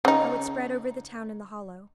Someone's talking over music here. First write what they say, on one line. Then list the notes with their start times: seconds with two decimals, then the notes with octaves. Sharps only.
How it spread over the town in the hollow!
0.05 C#3 D#4